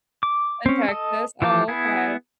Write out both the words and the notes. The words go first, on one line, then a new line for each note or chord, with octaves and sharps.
in Texas? Oh, okay.
D6
C4 C#4
A4 D#5
E3 F3 G4 A5 D6
B3 E4 G#4 G#5